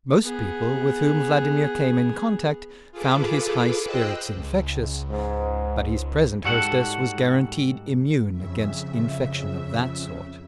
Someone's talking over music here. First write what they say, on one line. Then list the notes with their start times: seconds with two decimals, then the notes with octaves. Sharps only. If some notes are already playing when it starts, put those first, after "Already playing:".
Most people with whom Vladimir came in contact found his high spirits infectious, but his present hostess was guaranteed immune against infection of that sort.
0.23 B3 G#4
2.92 F4 G#4 A4 B4 D6
3.83 C5 D#5 G5 E6 F#6
4.36 C#2
5.10 G#2
6.44 G#2 G3 F#4 A4 F#5
8.30 F2 C#3 E5